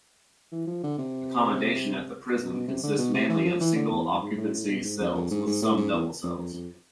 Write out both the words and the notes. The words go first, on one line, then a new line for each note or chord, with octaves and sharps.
Accommodation at the prison consists mainly of single occupancy cells, with some double cells.
E3
F3
D3
C3
B2
B2
C3
D3
B2
C3
E3
F3
E3
D3
E2
F2
G#2
A2
A2
B2
G#2
F2
F2
G#2
G#2
A2
G#2
E2
F2
F2
F2